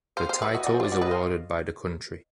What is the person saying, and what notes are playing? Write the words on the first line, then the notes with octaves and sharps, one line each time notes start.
The title is awarded by the country.
C5 F5
C5 F5
B4 E5
F#4 D#5
D5
F#4
C5
F4 D5
F#4 D5
B4 D#5
C5 F5